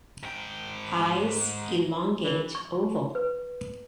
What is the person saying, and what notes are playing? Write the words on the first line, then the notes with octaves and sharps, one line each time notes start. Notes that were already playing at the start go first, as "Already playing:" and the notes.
Eyes elongate oval.
G#2 G5
E3
C#6
B4